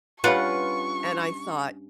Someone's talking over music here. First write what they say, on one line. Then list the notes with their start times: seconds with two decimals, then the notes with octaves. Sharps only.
And I thought,
0.24 G2 C#4 F4 B4 F#5 C#6